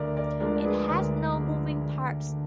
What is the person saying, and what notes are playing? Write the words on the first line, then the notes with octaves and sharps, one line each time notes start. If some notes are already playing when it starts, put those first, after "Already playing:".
It has no moving parts.
Already playing: D2 A#4 D5
A#4 D5
D3 F3 G#3 A#4 D5
D5
G#4 B4
D2 A#4 D5
D3 F3 G#3
D2
D3